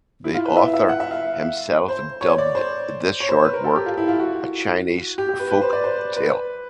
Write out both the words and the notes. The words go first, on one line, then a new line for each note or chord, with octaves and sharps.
The author himself dubbed this short work "A Chinese Folk Tale".
E4
F4
B4
E5
E5
F#5
E5
F5
C5
C#5
D5
C5
C#5
C5
B4
A#4
A4
G4
F4
E4
F4
F#4
G4
G4
B4
B4
C5
D5
C5
B4